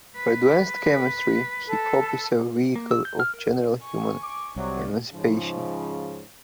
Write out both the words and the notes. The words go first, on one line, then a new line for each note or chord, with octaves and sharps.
For Advanced Chemistry, hip hop is a "vehicle of general human emancipation,".
B4
A4
A#3
E6
G6
F6
A#4
G#5 C#6
D6
C2 C3 F#3 C#5 D5
G#2 C#3 F3